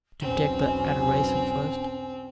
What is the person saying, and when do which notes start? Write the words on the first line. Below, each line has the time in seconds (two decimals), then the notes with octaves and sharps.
To take the adoration first.
0.21 B1 E2 C4 C#4